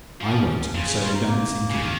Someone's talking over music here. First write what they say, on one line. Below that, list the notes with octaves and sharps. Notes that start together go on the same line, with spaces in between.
I won't, and so don't think it.
F3 C#4
C#4
C#4
C#3 F4
G#4
F4
D#4
A#3
C#3
D#3